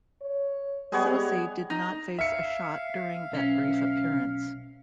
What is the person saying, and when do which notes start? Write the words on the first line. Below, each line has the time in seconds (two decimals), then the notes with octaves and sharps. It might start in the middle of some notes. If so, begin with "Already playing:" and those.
Soucy did not face a shot during that brief appearance.
0.22 C#5
0.92 G3 G#3 B3 C#5
1.70 D#4
2.19 E5 F5 C#7
3.32 B1 C#4